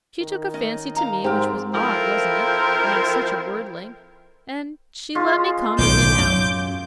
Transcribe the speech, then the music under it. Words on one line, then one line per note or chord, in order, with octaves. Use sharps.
She took a fancy to me--which was odd, wasn't it, when I'm such a worldling?--and she let me come in and out.
D#3
C#4 D#5
F5 A#5
G#2 C4 G4 A#4
F3 C4 E4 A4 A#4
G#3 C#4 F4
B1 A2 D#3 D6 G6
F#2 F#3